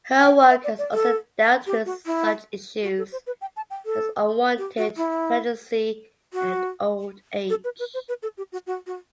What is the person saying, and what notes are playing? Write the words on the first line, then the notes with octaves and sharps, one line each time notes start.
Her work has also dealt with such issues as unwanted pregnancy and old age.
G5
E5
D5
D5
A4
G4
F#4
E4
F#4
A4
C5
B4
G5
A5
G5
A4
G4
F#4
E4
F#4
A4
B4
B4
C5
B4
A4
G4
F#4
F#4
F#4